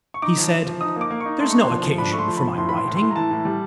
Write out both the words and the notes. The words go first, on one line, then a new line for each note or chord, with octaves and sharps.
He said, 'There's no occasion for my writing.
C#6
D#4 D6
F3
F3
F3
D#4 D#6
A#3 D6
A#3
C#6
D#4
A3 C6
D4 C#6
C6
F3
F3
D4 B5
A3 C#6
C6
F3
B5
F3
A2 C6
B5
E3 C6
A2
A2 C6
A#5
E3 A5
A2
G3